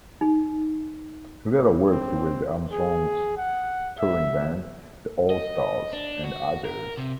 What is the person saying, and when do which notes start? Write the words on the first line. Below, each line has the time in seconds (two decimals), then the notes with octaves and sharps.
He later worked with Armstrong's touring band, the All Stars, and others.
0.21 D#4
1.90 C4
2.71 G#4
3.37 F#5
3.99 E5
5.30 D#5
5.93 D4
6.24 F#4
6.65 A#4
6.97 C3